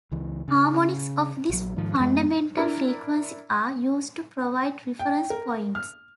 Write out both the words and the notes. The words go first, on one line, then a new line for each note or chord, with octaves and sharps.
Harmonics of this fundamental frequency are used to provide reference points.
C#2 E3
C#3
A#1 F#3
G#2 D#3 F3
F#2 E3 G#3 B3
D4 E4 A#4
G5
A#4
F6